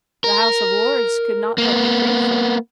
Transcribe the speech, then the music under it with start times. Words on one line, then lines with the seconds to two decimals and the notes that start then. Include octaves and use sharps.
The House of Lords could not but be grateful.
0.24 A#4
1.58 A#3 B3